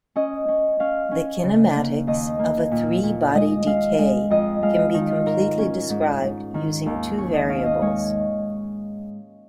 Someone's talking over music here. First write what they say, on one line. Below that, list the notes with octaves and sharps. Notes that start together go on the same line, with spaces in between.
The kinematics of a three-body decay can be completely described using two variables.
C#4 D#5
C#4
C#4 F5
C#4
C#3
A#3
D#2 D#5
A#3
A#2
A#2
G#3 D#5
G#3 F5
G#3
F2 D#5
G#3 F5
D#5
D#3 D#4
F4
G#2 A#4
C#4
G#2
G#2
D#3
D#2
C#4 C#5
D#5
C#4 F5
D#5
G#3 C#5